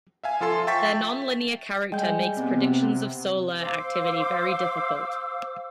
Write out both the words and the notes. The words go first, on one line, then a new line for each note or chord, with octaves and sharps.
Their non-linear character makes predictions of solar activity very difficult.
E5 F5 G#5
F3 F4 A4 C6
E5 G5 A5 C#6 A6 B6
G3 G#3 G5 G#5 G6
C3 B3 C4
C5 F5 D6 E6